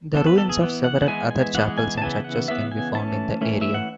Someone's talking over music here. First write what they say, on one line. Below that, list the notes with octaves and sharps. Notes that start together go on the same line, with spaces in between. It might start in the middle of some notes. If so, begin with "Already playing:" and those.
The ruins of several other chapels and churches can be found in the area.
E3 B3 A4
B4
A4
G#4
E3 B3
F#5
F#5
E3 G#3 B3 G#5
G#5
E3 G#3 B3 F#5
G#5
A5
C#3 E3 B3 G#5
F#5
C#3 E3 B3 E5
G#5
E3 A3 C#4 A5
E3 A3 C#4
E5
F#5